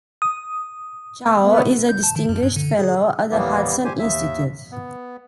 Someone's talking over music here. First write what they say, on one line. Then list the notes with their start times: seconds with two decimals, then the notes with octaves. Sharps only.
Chao is a distinguished fellow at the Hudson Institute.
0.22 D#6
1.40 A3 B3
1.89 G6
2.03 A5
2.16 D#3
2.29 F#2
2.43 G2
2.56 D3
2.79 G#4
3.31 D#2 A2 E3 G3 A#3 B3
3.84 G4 C5 G#5
3.99 D#2 E5
4.72 B3